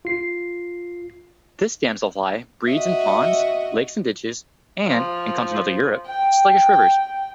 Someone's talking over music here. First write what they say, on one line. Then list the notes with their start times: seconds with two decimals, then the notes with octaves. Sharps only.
This damselfly breeds in ponds, lakes and ditches and, in continental Europe, sluggish rivers.
0.05 F4 C7
2.68 F#4 D#5 E5
4.86 F3
6.06 G5